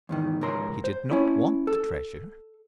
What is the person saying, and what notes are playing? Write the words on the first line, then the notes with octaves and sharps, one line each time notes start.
He did not want the treasure.
E2 G#2 D#3
C#2 G#2 A#4 C6
C5
C#4 E4
A4